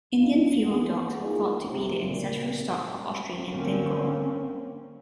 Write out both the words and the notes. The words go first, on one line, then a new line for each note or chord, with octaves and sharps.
Indian feral dogs are thought to be the ancestral stock of Australian Dingo.
D#4 F4
E3 A#3 B3
E3 A#3 D#4 F4 G#4
C3 C4
A#2 C#3
D3 A#3 C4 C#4